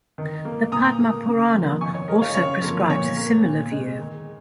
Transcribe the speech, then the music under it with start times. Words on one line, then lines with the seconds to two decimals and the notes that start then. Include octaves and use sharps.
The Padma Purana also prescribes as similar view.
0.18 D#3
0.45 A#3
0.72 A#2 A#5 D#6
1.00 A#3
1.26 C#3
1.54 F3 A#3
1.81 D#3 G#5 C#6
1.95 C#5
2.08 G#3 A#4 D#5
2.21 C#5 F5
2.35 C#3 C#5 F5
2.62 F3 A#3
2.90 A#2 C#5
3.17 A#3
3.44 A#2
3.71 G#3
3.98 D#3